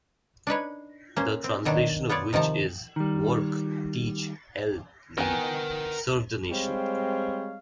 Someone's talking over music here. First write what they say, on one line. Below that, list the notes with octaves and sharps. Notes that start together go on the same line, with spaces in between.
The translation of which is Work, Teach, Help, Lead - Serve the Nation.
D4 D#4 B4 C#5
A#3 C#4 C5
C4
B2 D#3 F#3 D4
B3 F4 C#5 D5
C3 D#3 F3 A5 A#5
D#3 G3
B3 A#4 G5 G#5
G3 G#3 C4 C#5 F5